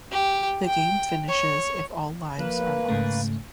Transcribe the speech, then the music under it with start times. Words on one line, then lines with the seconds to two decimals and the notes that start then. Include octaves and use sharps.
The game finishes if all lives are lost.
0.12 G4
0.67 G5
1.28 C#5
2.39 F3 A#3 B4
2.88 G#2 C#3 A3